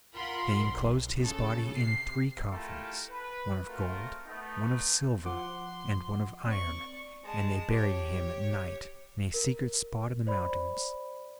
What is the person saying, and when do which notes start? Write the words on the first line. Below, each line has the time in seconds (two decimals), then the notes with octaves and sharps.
They enclosed his body in three coffins--one of gold, one of silver, and one of iron--and they buried him at night, in a secret spot in the mountains.
0.14 F4 A#4 F#5 B5 C6
0.60 B1
1.20 C#3 A4
1.75 C3 C7
2.51 A3 E4 F4 G4 A4 A#4
3.09 B4
3.65 A3 C4 F4 F#4 A#4
4.25 A3 B3 D#4
5.26 F3 F#5 C6 D6
6.47 C4 D5 C#6
7.24 G#3 A5
7.71 G4 C#5
9.34 A#4
10.27 C5 D5 B5